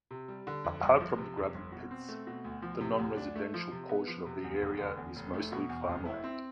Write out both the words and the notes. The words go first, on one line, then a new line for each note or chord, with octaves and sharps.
Apart from the gravel pits, the non-residential portion of the area is mostly farmland.
C3
G3
D3
F2
G1
F3
C3
F2
G1
B2
C4
A3
B2
D2
F3
C3
D2
D4
A3
F3
C3
B3
F3
C3
E2
F1
D3
E2
F1
A3
B2
E2
F1
E4
C4